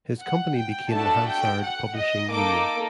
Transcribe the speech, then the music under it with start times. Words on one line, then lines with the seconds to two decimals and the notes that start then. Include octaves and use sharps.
His company became the Hansard Publishing Union.
0.21 F#5
0.56 G5
0.91 A3 D4 F#4 A4 A5
1.27 G5
1.62 F#5
1.96 D#5
2.32 A#3 D#4 A4 D6